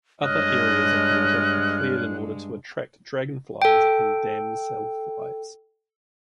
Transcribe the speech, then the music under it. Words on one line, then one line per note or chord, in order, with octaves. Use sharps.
Other areas of water are cleared in order to attract dragonflies and damselflies.
G2 G#3 C#5 D#5 F6 F#6
A4 G5